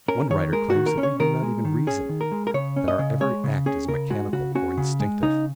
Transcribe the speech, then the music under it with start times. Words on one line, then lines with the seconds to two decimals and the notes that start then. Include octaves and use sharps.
One writer claims that we do not even reason--that our every act is mechanical, or instinctive.
0.08 C#4 A#4
0.31 D#3 C#5
0.53 G#3 A#4
0.70 F#4
0.75 D#3
0.86 A#4
0.98 C#4
1.03 C#5
1.20 D#3 A#4
1.42 G#3
1.65 D#3
1.87 C#4 G#4
2.09 D#3
2.21 A#4
2.32 G#3
2.47 A#4
2.54 C#3 C#5
2.76 C#4
2.88 D#5
2.99 C#3
3.21 G#3 C#5
3.44 C#3
3.66 C#4 G#4
3.88 C#3 A#4
4.10 G#3 F#4
4.33 C#3 F#4
4.55 C#4 F#4
4.77 C#3
5.00 G#3
5.22 C#3 D#4